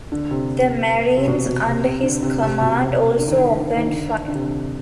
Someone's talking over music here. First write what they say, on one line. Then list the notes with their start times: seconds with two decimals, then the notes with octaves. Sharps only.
The marines under his command also opened fire.
0.12 D3
0.31 C3
1.17 C3
1.27 B2
1.46 B2
1.65 C3
1.84 C3
2.03 D3
2.23 C3
2.42 C3
2.61 B2
2.80 C3
3.19 D3
3.28 D#3
3.37 D3
3.58 D#3
3.77 D#3
3.86 D3
4.28 D3
4.35 C3